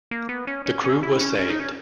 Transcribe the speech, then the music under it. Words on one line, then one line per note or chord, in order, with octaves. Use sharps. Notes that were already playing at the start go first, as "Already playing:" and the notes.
The crew was saved.
A#3
B3
C#4
C#4
C#4
E4
C#4
C#4
D#4
C#4